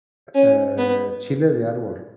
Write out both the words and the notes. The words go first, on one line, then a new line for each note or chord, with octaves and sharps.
u uh, chile de árbol.
C#4
B3